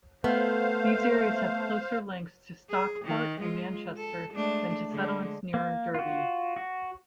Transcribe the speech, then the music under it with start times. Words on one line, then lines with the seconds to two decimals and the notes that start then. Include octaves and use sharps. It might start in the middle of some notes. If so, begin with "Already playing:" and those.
These areas have closer links to Stockport and Manchester than to settlements nearer Derby.
0.24 A3 B3 C5 F5
2.70 G#4
3.04 D#3
3.40 G#3 F4
3.97 A4
4.31 G#3 A3 D4
4.91 D3 G#3
5.54 A#3
5.94 F4 F#4
6.56 F#4